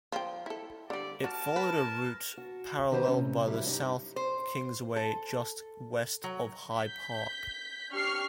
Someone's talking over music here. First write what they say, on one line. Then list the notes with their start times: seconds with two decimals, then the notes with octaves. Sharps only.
It followed a route paralleled by the South Kingsway just west of High Park.
0.12 F3 F5 G5
0.46 E4 A4
0.90 D3 G3 D5
1.24 F#4 A#4 A5
1.56 B4
2.37 F#4
2.92 D#3 G4 B4 C5 A#5
3.07 C3 C#4
3.46 F#3 G3 E4
3.65 G2 D#4 G4
4.16 C5
4.96 A4
6.24 F#3
6.73 G6 B6
7.92 D4 G4 C#6 F6 C7